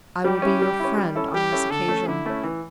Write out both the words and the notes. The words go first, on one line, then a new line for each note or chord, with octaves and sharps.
I will be your friend on this occasion.
G3 G4
C#4 E4
G3
C#4 E4
G3
C#4 E4 A4
G3 G4
C#4 E4 A4
D3 A4
A3 C#4
D3 E4
A3 C#4
E3